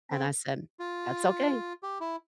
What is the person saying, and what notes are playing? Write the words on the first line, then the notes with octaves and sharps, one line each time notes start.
and I said, "That's okay"
C4
F4
G4
E4